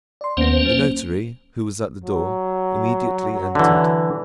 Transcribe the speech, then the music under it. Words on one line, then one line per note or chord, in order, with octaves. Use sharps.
The notary, who was at the door, immediately entered.
D5 C6
D#2 A#3 B3 C#4 C5
F#3
F#3
D3 E3